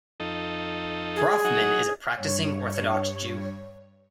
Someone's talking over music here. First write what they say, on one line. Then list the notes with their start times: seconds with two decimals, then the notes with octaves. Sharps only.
Brafman is a practicing Orthodox Jew.
0.20 F2 D#4 A4
1.16 G#4
1.44 F#3 D#4 F#4
2.15 G2 C#5